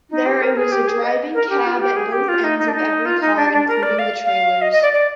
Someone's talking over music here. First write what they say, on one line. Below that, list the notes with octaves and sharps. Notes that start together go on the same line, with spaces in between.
There was a driving cab at both ends of every car, including the trailers.
D#4
G4
A#4
G#4
G4
G#4
D#5
A#4
G4
F4
F4
G4
G#4
G4
F4
D#4
D#4
D4
D#4
F4
D#4
D4
D4
A#4
D5
F5
F5
D#5
D#5
D5
D5